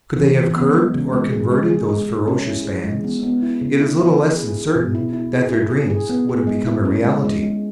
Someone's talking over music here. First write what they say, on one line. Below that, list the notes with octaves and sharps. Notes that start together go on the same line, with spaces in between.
Could they have curbed or converted those ferocious bands, it is little less than certain that their dream would have become a reality.
E3
E3
B3
G#3
C#3
G#3
G#4
G#3
G#4
G#3
G#4
C#4
E4
G#4
G#3
B3
B3
E4
C#3
E4
E4
G#4
G#4
G#4
B2
E4
E4
G#4
E4
G#4
G#4
B3
G#4
G#3
E4
C#4
G#3
G#3
G#3